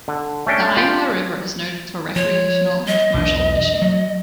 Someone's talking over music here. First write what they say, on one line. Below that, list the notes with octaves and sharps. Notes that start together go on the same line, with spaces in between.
The Iowa River is noted for recreational and commercial fishing.
D3
A3 C#4 D4 G5
F4 G4
F3 C#5
D#5
B1 E2 D4
F#3